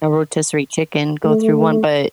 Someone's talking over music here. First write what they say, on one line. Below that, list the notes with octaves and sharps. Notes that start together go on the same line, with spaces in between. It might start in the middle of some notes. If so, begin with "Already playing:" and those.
A rotisserie chicken go through one, but
A3